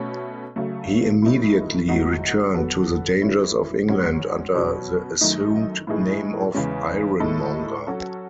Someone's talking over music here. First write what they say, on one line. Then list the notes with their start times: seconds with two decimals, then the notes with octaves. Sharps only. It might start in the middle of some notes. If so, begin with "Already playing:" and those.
He immediately returned to the dangers of England under the assumed name of Ironmonger.
Already playing: B2 A3 C#4
0.56 C#3 F#3 A3
1.22 A2 F#3 A3 D#4
1.88 G#2 F#3 A3 D#4 F#4
2.54 F#3 B3 F#4 A4
3.22 F#3 C#4 E4
3.88 G#2 F#3 C#4 F#4
4.54 B2 F#3 C#4
5.21 F#2 D#3 A3 D#4
5.87 A2 E3 A3 D#4 G#4
6.54 E2 C#3 G#3 C#4
7.20 A2 G#3 D#4 A4
7.87 F#3 C#4 F#4 A4